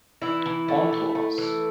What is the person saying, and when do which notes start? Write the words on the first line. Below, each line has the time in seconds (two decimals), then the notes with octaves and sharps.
On to us.
0.22 E3 E4
0.46 E3
0.68 A3
0.92 A3
1.15 A3
1.38 E3